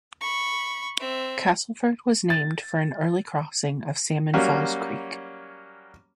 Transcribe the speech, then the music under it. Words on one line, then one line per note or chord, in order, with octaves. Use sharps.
Castleford was named for an early crossing of Salmon Falls Creek.
B5 C#6
C4 E5
A6
F#3 G3 A#3 C#4 C#5